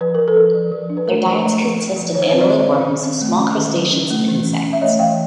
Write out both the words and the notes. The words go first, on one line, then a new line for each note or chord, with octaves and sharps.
Their diets consist of annelid worms, small crustaceans, and insects.
F3 B4
F3 A#4
A4 B4
F3
F3
F3
D4
B4
A3 A#4 C5
F3
A3
F3
F3
F3
D#3 C#5
C5
C4 B4 C#5
C5 D5
D#3
C4
D#3
C4
A3
C#4
D#3
F#3
C#4
A3
E3
C#4
C#4
E5
A3 C#5 D#5
E3 F5 G5